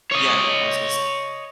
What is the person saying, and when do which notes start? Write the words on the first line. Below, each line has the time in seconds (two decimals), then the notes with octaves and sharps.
Yeah. I was gonna s
0.12 C#5 D#5